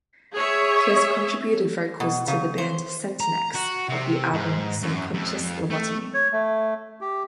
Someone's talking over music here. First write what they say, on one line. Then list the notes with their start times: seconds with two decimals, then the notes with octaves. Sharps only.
He has contributed vocals to the band Centinex of the album "Subconscious Lobotomy".
0.33 G#4 C#5 E5
2.00 B2
2.28 C#3
2.58 C5
3.20 A#5
3.55 F#4
3.89 C3
4.34 G#2
4.82 F#2
5.14 F2
5.70 A3
6.14 C#5
6.32 A3
7.01 G4